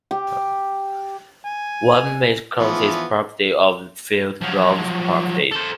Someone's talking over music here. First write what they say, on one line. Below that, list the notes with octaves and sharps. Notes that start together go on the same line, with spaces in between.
One may call this property of a field Rolle's property.
G4
G#5
E3 F3 B3
F3 F#3
A4 C5